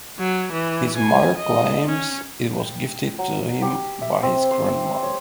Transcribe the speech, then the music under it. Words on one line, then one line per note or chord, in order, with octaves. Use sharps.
His mother claims it was gifted to him by his grandmother.
F#3
E3
G#5
D#5
C#4
G5
F#3
G4
E5
C4
C5
E6
C#5